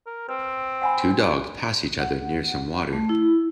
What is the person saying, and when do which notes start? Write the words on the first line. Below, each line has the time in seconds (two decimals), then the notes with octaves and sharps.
Two dogs pass each other near some water.
0.06 A#4
0.29 C4 B4
0.82 F#5 G#5 B5
1.08 D4
1.99 F#5
2.93 A3
3.09 E4